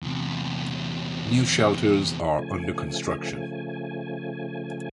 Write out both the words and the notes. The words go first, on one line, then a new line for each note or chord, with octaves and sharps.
New shelters are under construction.
E2 C3
C#3 F3 A3 G#5